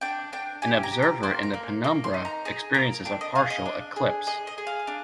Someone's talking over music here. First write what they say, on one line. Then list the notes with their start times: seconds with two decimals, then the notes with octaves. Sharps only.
An observer in the penumbra experiences a partial eclipse.
0.01 D4 G5
0.33 D4 G5
0.62 G4 G#5
0.83 A#5
0.92 G4
1.02 A#5
1.23 A#3 C6
1.43 A#5
1.54 A#3
1.84 A#3 A#5
2.04 C6
2.14 D#4
2.25 A#5
2.45 G#4 A#5
2.74 A#3 A#5
3.05 D4 G5
3.21 D#5
3.35 G#4 F5
3.50 D#5
3.66 D4
3.96 G#4
4.27 G#4 D#5
4.47 D#5
4.58 G#4
4.67 F5
4.87 D4